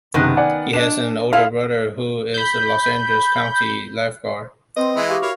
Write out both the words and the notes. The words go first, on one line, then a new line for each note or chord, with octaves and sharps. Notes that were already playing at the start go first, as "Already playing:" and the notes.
He has an older brother who is a Los Angeles County Lifeguard.
F#1 C3 D#3 B3
D5 F#5 G#5
D4 D#5 E7
E4 F4 A4 F5
B5 G6
C4 B4 D#5 C6 D#6
E3 G#3 E4
G4 F5 C#6 A#6
E4 F#4 A#4 C#5 F5